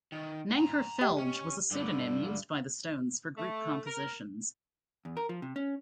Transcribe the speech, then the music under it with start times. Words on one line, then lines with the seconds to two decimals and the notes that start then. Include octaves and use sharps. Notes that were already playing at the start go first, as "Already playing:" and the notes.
"Nanker Phelge" was a pseudomyn used by the Stones for group compositions.
0.12 D#3
0.55 G#5 A#5
1.01 G4 D#5 G5
1.18 C#4
1.71 G2 D3
3.37 A3
3.86 A#4
5.05 E2
5.17 A#4
5.29 F3
5.42 C3
5.56 C#4